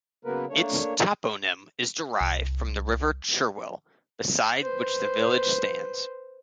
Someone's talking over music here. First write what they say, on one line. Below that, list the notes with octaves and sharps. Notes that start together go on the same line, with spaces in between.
Its toponym is derived from the River Cherwell beside which the village stands.
C#3 F#3 A#3 B3 A#4 B4
A3 A#3 D4 C#5
C2
B4 C5